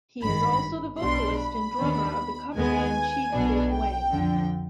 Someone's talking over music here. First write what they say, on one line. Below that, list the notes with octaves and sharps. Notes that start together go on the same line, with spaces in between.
He is also the vocalist and drummer of the cover band Chief Big Way.
G#1 G2 D#3 B5
B1 B2 G3 D4 C6
B5
D#2 D#3 B3 D4
D#2 D#3 G#3 B3 G#5
B1 B2 B3 D4
G5
F2 D3 F3